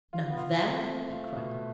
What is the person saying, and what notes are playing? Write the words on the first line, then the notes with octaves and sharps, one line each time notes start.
"None of that," he cried.
F4
B3
F4
A3 C4
C4
F4
B2